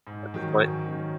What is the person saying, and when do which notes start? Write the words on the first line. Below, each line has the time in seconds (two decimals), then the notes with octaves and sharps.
at this point?
0.07 G#2
0.34 D#3 F#3 C#4
0.60 G#2
0.86 D#3 F#3 C#4